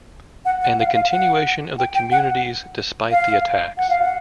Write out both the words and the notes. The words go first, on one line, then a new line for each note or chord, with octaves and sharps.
And the continuation of the communities despite the attacks.
F#5
F#5
F5
F5
F#5
G5
G5
F#5
F5
F#5
F5
F#5